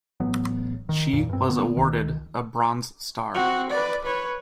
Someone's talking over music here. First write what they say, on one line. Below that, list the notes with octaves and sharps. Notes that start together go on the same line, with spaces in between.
She was awarded a Bronze Star.
A1 F#3 B3
D#3
A1 F2 A#2
G2 C4
D3 B3
C#2 D#3
C4 F#4
B4 D5
B4 C#5